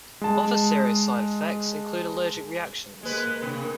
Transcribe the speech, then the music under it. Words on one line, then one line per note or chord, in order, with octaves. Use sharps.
Other serious side effects include allergic reactions.
G#3 A5
G#3 A#3 B4
C3
A#4